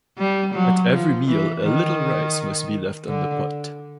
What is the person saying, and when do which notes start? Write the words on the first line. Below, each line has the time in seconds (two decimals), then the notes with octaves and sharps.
At every meal a little rice must be left in the pot.
0.18 G3
0.54 F#3
0.92 F3
1.27 E3
1.63 D#3
3.08 D3